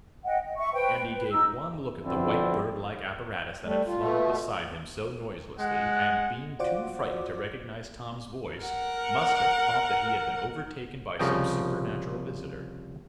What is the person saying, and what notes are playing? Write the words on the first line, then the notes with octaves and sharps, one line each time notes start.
Andy gave one look at the white bird-like apparatus that had flown up beside him so noiselessly, and, being too frightened to recognize Tom's voice, must have thought that he had been overtaken by some supernatural visitor.
D#5 F#5 G5
D#5
E5 C#6
B4 C5 G5
B4
D#4 E6
F2 B2 D3 C4 D4 E4
G3 A3
F4
B2 A3
G#3 F#5
F4 F#4 C5 D5 F#5 D6
A#4 F#5
C2 C#3 F3 D#5 G5